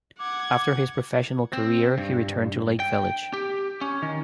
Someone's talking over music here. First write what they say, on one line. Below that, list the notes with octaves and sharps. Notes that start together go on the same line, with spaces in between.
After his professional career he returned to Lake Village.
F#5 D6 G#6
C4
G2
G5
G4
C#4
D#3